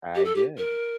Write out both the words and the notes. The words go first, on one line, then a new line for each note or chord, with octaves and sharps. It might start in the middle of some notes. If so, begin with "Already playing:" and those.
I did.
G4
A4
G4
A#4